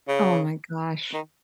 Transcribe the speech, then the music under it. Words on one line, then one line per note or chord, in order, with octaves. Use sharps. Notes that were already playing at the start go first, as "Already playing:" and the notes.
Oh my gosh.
C#3
D#3